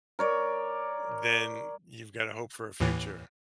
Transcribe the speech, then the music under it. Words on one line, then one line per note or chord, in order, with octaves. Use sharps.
then you've got a hope for a future.
A#4 C#5 D5
D#2 A2 E3